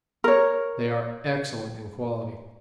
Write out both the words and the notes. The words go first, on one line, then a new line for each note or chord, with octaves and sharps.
They are excellent in quality.
A#4 C#5